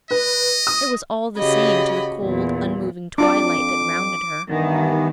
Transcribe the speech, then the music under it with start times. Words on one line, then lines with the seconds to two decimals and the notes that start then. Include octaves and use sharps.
It was all the same to the cold unmoving twilight that rounded her.
0.11 B4 D#5
0.67 D#6
1.37 C#3 F#4 G4 D#5 B5
2.20 E2 A#2
3.18 F2 D4 F4 D5 D6
4.50 G2 D#3 E3 B3